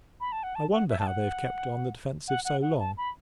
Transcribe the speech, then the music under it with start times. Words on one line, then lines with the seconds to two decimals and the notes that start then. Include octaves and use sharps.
I wonder how they have kept on the defensive so long.
0.20 B5
0.32 A5
0.43 F#5
0.55 A5
0.72 F#5
0.89 E5
0.99 A5
1.07 F#5
2.28 F#5
2.45 F#5
2.62 F#5
2.79 A5
2.97 B5